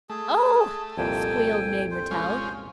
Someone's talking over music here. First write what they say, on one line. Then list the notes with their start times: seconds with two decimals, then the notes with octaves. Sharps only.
"Oh!" squealed Mae Mertelle.
0.10 A3 G#4
0.98 C2 F2 A#2 A4 G5 G#5
1.91 C5
2.11 G#3 C#4 F4